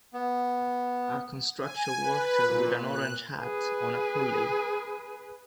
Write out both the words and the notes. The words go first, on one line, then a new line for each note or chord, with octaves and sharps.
A construction worker with an orange hat on a pulley.
B3
G#5
B4
A#2
F#6
G#4 B4